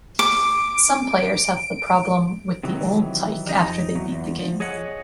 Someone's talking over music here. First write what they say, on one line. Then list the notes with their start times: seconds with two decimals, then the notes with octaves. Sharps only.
Some players have the problem with the old tyke after they beat the game.
0.19 D6 D7
2.63 C3 D#3 E3 F#3
3.49 F2 D#4
3.95 E2 F#3
4.12 E2
4.39 F3
4.60 G#4 C#5 D#5 F#5